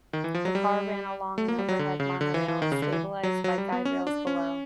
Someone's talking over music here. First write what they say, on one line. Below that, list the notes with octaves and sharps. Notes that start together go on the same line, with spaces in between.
The car ran along an overhead monorail, stabilised by guide rails below.
D#3
E3
F3
F#3
G3
A3
A#3
G3
F#3
D3
C#3
D3
E3
E3
D#3
C#3
D3
E3
F#3
F#3
G3
B3
C#4
D4
C#4